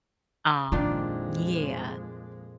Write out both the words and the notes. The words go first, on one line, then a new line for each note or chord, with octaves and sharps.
Um, yeah.
F2 A#2 D#3 F3 G#3 D4 E4 F4